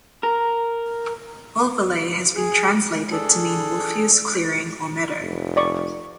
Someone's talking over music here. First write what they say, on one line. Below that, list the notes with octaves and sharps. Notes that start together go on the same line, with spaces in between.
Ulverlei has been translated to mean Wulfhere's clearing or meadow.
A#4
G#4
D4 G#4 A4
F1
D5 C#6